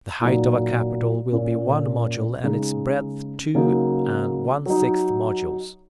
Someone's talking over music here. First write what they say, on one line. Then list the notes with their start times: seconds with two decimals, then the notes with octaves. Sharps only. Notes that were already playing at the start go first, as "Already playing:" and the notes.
The height of a capital will be one module, and its breadth two and one sixth modules.
0.21 A#2 F#3 D#4
1.32 A#2 A#3 C#4
2.43 C#3 G#3 D#4
3.55 C#3 F#3 A#3 D#4
4.66 F#3 D#4